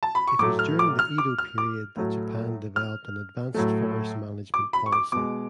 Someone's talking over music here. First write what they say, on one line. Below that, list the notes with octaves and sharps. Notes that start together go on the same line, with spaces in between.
It was during the Edo period that Japan developed an advanced forest management policy.
A5
B5
C#6
A2 F#3 A3 D6
F6
D6
F6
D6
F6
D6
A2 F#3 A3
F6
A2 F#3 A3
D6
B5
C#6
D6
B2 G#3 D6